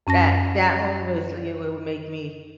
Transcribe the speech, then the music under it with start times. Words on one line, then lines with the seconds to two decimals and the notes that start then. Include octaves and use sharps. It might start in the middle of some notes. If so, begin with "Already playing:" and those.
That that one was you w would make me
0.07 F#2 C#4 A5 A#6